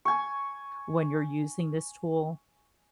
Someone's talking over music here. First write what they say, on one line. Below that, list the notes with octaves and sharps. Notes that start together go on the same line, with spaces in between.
when you're using this tool?
G#5 C#6